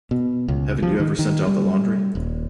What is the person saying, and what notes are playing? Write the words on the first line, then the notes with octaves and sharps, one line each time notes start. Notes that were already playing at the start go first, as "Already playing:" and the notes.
Haven't you ever sent out the laundry?
B2
C#2
F3
D#3
D#3
G3
D#1